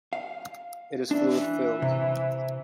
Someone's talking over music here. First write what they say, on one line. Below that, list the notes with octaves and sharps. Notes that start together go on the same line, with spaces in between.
It is fluid filled.
F5
E3 D4
C3